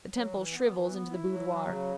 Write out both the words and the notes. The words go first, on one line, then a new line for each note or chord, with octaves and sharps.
The temple shrivels into the boudoir.
F#3
E3
B3
E3
B3
E4
F#3
F#3
C#3